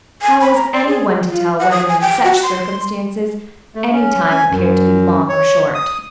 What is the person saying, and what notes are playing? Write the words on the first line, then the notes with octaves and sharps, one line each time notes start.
How was anyone to tell whether in such circumstances any time appeared to be long or short?
G#5
B5
A#5
D5
G#4
F4
F#5
D#6
G#5
G5
F#4
C6
A3
C#4
G#5
F#2
C#5
D#6